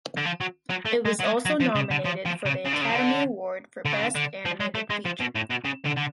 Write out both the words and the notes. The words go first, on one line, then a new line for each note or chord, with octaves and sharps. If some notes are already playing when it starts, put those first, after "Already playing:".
It was also nominated for the Academy Award for Best Animated Feature.
D3
F3
F#3
F#3
A3
G#3
F#3
G#3
F#3
F3
C#3
D3
F3
F3
C#3
C#3
D3
C#3
F3
D3
D3
C#3
D3
D3
F3
G#3
A3
G#3
F3
B2
A2
B2
C#3
D3
D3